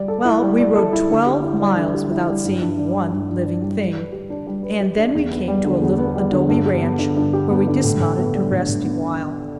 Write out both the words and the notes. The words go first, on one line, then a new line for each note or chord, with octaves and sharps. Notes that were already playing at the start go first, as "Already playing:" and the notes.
Well, we rode twelve miles without seeing one living thing, and then we came to a little adobe ranch where we dismounted to rest a while.
Already playing: G3 D5
A4
E4
G3
D5
A4
E4
D3
G4
E4
G3
D3
G4
E4
G3
G2
G2
D4
G3
G2
G2
D4
G3
G3
B4
G4
D4
G3
B4
G4
D4
E2
B3
G3
D3
E2
B3
G3
D3
G2
G4
B3
D3
G2
G4
B3
D3
A2
A2
B3
G3
A2
A2
B3